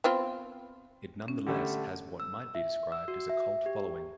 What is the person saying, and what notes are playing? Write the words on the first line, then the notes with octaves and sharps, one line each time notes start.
It nonetheless has what might be described as a cult following.
B3 C4 F4
C#4
D3 G3 A3
E6
E5
E6
F#4
E5
G4